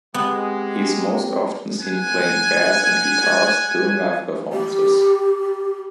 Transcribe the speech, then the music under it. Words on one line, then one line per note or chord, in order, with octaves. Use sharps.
He is most often seen playing bass and guitars during live performances.
G#3 B3 C4 G4
F#5 G#5
G4